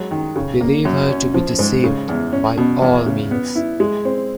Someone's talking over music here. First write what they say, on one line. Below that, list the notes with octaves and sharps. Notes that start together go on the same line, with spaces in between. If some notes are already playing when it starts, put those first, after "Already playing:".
Believe her to be deceived, by all means.
Already playing: F#3 G#3
D#3
C#3
A#3
F#2
C#4
F3
G#2
C#3
E2
C#4
B2
E2
C#3
B3
E4
G#3
C4